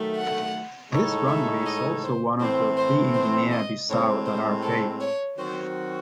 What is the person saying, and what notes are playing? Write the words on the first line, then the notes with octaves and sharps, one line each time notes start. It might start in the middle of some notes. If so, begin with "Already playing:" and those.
This runway is also one of the three in Guinea-Bissau that are paved.
Already playing: D#3 F#3 A3
F#5
A2 G#3 D#4 A4 C#5
E5
D#5
C5
A2 E3 C4 C5
C5
C5
D#5
A2 G#3 C4 C#5
C5
A4
C#5
D#3 F#3 C4 F#4 C5